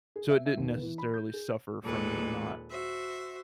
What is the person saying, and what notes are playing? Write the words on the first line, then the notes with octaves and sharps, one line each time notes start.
So, it didn’t necessarily suffer from me not
G#4
E5
E5
D#2
B3
E3
B5
G6
G#4
D#2 A#2 G#3 A4 B4
F#4 C5 E5